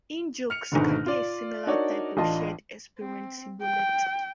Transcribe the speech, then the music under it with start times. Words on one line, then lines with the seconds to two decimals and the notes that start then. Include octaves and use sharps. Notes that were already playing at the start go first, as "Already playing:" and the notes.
In-jokes can be a similar type of shared-experience shibboleth.
0.50 F6 C#7 F7
0.72 G#1 G#2 B2 D3
1.06 F4 D5
1.67 D4 D#4 F#4 A#4 C#5 D5
2.17 A1 D4 F4 D#5 A5
2.99 C4
3.62 G5